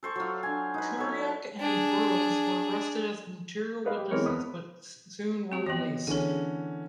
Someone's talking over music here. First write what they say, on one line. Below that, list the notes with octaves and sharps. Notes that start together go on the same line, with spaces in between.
Kerouac and Burroughs were arrested as material witnesses but soon were released.
A4 C5 C#6
F#3 F4
D4 G#5
D#4 B4
A4 C#5
D4 G#4
G#4 A#4 B4 D#5 F5
G4
E3 G#3 C4 A#4 C#5
E2 B3 B5 D#6
C4 F#4 G4
E3 B3 D#5 A#6
D3 E3 C#4 G#4 A4